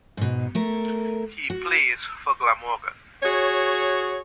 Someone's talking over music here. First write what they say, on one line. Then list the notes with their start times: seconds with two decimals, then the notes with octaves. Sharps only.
He plays for Glamorgan.
0.17 G#2 B2
0.55 A3 A#4
1.50 F#4
3.23 F#4 G#4 C#5